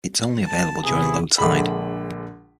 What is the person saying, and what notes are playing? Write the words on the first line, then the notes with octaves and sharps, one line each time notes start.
It is only available during low tide.
A5
C3 B3 E4 G#4
A#1 D3 G#3 B5